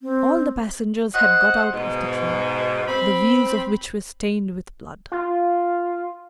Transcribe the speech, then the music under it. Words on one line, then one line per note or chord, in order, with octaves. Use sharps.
All the passengers had got out of the train, the wheels of which were stained with blood.
C4
C5 D#5 F#5
G#2 B2
C4 B5
F4